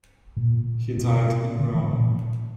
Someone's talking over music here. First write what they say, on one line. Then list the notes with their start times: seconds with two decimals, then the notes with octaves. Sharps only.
He died in Rome.
0.37 A#2
0.98 B2
1.59 C#3
1.74 E3
1.90 A#2